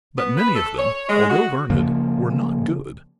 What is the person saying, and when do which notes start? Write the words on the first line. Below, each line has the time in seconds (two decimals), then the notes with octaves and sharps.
But many of them, although learned, were not good.
0.17 B3
0.37 B4
0.55 A4
0.78 C#5
1.09 G#3
1.30 F#4
1.70 C#3 F3 A#3